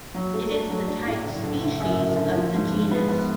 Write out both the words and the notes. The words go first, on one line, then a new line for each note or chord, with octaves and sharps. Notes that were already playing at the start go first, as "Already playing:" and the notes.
It is the type species of the genus.
F#3
A3
D4
F#3
D4
A2
F#1
D3
F#1
F#2
F#2
D3
F3
G#2
G#2
B3
B3